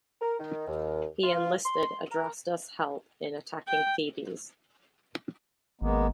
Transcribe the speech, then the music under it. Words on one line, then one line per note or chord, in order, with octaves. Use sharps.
He enlisted Adrastus' help in attacking Thebes.
A#4
D#3
D#2
F4
C6
A#4
G5
G#1 G#3 A#3 B3